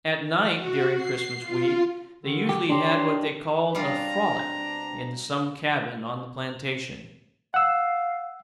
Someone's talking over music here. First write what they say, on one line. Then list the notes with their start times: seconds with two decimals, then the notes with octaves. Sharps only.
At night, during Christmas week, they usually had what they called a "frolic," in some cabin on the plantation.
0.52 F#4
0.93 C7
1.40 F4
2.22 D3 D#3
2.49 G4
2.69 D4 G4 C#5 A#5 C6
3.75 B2 G3 C4 D4 F4 A#5
7.54 F5 F#5 E6